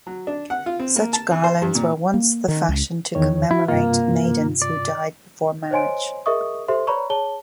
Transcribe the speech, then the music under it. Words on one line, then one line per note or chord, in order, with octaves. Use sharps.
Such garlands were once the fashion to commemorate maidens who died before marriage.
F#3
D4
F#5
F4
C4
A#3
A5
E3
C5
G2
A#2
A#3
D#3
C#2
E2 D#3 C#5
E4 F#4
G2 C3 A#3 F4
D5
C5 C#5 D#5 G#5 C6 D7
G#4 A#4 D#5 E5 C#6 D#6
G4 A4 C5 E5 C6
B4 C#5 D5 A#5 B5 C#6
G#4 C#5 A5 G7